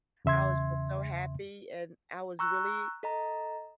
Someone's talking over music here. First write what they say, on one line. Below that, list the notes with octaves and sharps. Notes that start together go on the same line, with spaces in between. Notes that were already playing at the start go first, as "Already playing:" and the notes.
I was just so happy and I was really,
E2 C#3 E5 C6 G#6
A#5 C#6 E6 F#6
A4 D#5 A#5